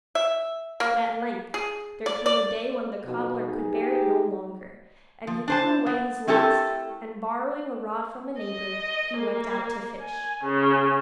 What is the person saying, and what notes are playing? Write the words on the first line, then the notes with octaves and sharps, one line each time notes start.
But at length there came a day when the cobbler could bear it no longer, and he threw away his last, and borrowing a rod from a neighbour he went out to fish.
E5
A#3
G#4
D5
D5
B1 F2 B2
D#4 G#4
G4
F3
D4 C5 A5
B3
A3 C4 E4 G4 A4 A#4
D#5
A#3
G#5
C#3